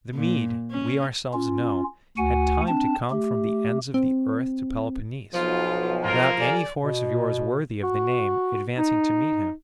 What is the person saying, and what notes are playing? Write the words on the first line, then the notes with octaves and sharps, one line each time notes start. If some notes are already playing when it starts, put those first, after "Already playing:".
The Mede, we ourselves know, had time to come from the ends of the earth to Peloponnese, without any force of yours worthy of the name advancing to meet him.
A#2
C#4
C#4 F4
D2 F#4 F#5 G#5
C4 D4 A5
A3 G4
C4
B1 F3 F4
A#3 F4 A#4
G4 A4 D5 G#5
B2
F#4
D#4